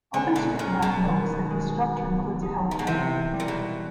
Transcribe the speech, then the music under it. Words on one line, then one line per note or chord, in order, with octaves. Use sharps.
OpenStreetMap notes that the structure includes a helipad.
D3 G#3
B2
A#2 C#4
B2
D#3
G#3
B3
D#4
A#2
B2
C3 E3
G3
A#2
B2